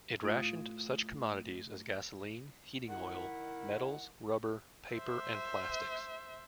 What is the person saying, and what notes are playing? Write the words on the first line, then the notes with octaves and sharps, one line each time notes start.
It rationed such commodities as gasoline, heating oil, metals, rubber, paper and plastics.
A2 F4 D#6 G#6 D7
D#3 E4 F#5
C5 E5